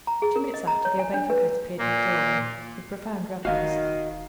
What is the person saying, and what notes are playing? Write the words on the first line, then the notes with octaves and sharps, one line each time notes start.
Two minutes after, the Abbe Fouquet appeared in the doorway, with profound reverence.
A#5
G#4
A#4
D#5
A#5
C#5
G#5
D4
B4
A#2 A#3
E1 D#3 F#4 D#5 F5